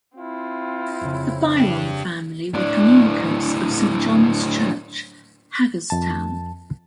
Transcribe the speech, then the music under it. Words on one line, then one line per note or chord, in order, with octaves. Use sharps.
The Byron family were communicants of Saint John's Church, Hagerstown.
C4 E4 F4
F2 C#3
D4 G4
A2 D4
F2 A5